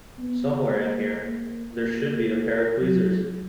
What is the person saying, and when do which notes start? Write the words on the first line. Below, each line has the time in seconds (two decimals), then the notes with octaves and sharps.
Somewhere in here, there should be a pair of tweezers.
0.19 B3
0.71 A#3
1.24 A#3
1.77 A#3
2.82 F#3